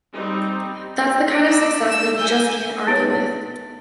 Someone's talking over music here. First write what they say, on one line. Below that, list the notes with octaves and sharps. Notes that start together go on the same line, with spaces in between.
That's the kind of success that you just can't argue with.
G3 C4 D#4
D5 E6
E6 E7
G#5 G6
B3 D#4 B4 C#5